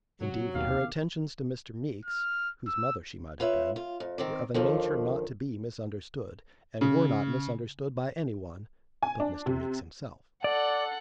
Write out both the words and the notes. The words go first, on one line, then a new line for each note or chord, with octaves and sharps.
Indeed, her attentions to Mr. Meeks, whose mother she might have been, were of a nature not to be misunderstood, and were not misunderstood by anyone but Mr. Meeks himself.
C3 F#3
D#2 B2 D#3 G4 F5
F6
E6
F4 B4 C#5 E5
F4
F2
D#3 C4 D5
D#2 D3 D#3 F3
C#3
G#5
D4
C3
A4 D5 F#5